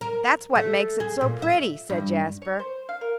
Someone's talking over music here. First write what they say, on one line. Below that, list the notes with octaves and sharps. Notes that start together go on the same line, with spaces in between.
"That's what makes it so pretty," said Jasper.
A#4
A3
G#4
A#2
E5
G2
C#5
C5
F5
A#4